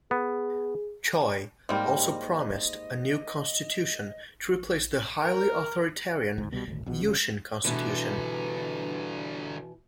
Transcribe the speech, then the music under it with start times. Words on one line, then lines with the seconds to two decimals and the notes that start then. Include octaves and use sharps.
Choi also promised a new constitution to replace the highly authoritarian Yushin Constitution.
0.11 B3 G#4
1.69 G#2 G3 A#3 C4 D#5 G5
5.21 A#4
6.38 G#1 D2 G#2
6.51 C2 B2 G3
6.67 D#1 G#1 D2
6.86 A#1 B2
7.01 E1 C#3
7.65 G2 B2 D3 E3